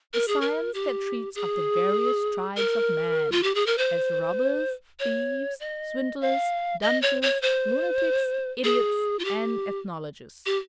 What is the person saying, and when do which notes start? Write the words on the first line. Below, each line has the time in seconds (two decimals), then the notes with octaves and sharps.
The science that treats of the various tribes of Man, as robbers, thieves, swindlers, dunces, lunatics, idiots and ethnologists.
0.13 A#4
0.28 G#4
0.41 A#4
0.74 G4
1.35 G#4
2.57 A#4
3.32 F4
3.43 G4
3.55 G#4
3.66 A#4
3.78 C5
4.99 C#5
5.60 D#5
6.21 F5
6.82 D#5
7.02 C#5
7.22 C#5
7.42 C5
8.64 G#4
9.19 F4
9.25 G4
10.46 G4